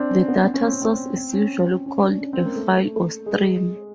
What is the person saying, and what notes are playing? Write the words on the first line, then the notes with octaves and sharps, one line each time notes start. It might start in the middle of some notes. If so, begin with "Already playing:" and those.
The data source is usually called a file or stream.
Already playing: C4 D4
C#4
B3
C4
C#4
C4
C#4
C4
C4
C#4
C#4
D4
C#4
C4
A#3
A3
G#3